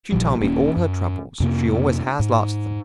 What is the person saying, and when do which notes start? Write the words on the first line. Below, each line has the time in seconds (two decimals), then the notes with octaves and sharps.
She told me all her troubles--she always has lots of them.
0.12 A#1 A#2 F3 G3
0.40 D#1 A#3 C#4
0.77 F#2
1.40 F2 C3 A#3
2.20 G#2